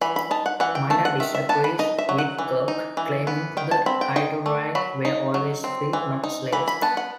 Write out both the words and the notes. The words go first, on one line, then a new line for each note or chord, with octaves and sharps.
Miner disagrees with Kurke, claiming that hetairai were always free, not slaves.
E3 B5
B5
D#4 A5
F#5
E3 F#5
G5
A3 A5
F#5
D#3 E5
E5
B3 A5
B5
D#4 D#5
E5
F#3
F#5
E3
D#4
E3
B3
D#3 G5
A5
C4 B5
G5
D#4 G5
A3
F#3 B5
D#4
F#3
C4
E3
D#4
E3 B5
B5
B3 A5
F#5